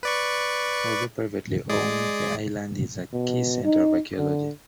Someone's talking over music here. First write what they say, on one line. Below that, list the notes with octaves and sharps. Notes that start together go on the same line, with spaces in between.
Although privately owned, the island is a key center of archaeology.
B4 D5 C#6
G#3 G#4 D5
B2
D#4
D3